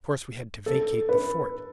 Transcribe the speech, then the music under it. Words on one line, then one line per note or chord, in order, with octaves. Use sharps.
Of course we had to vacate the fort.
A4
B4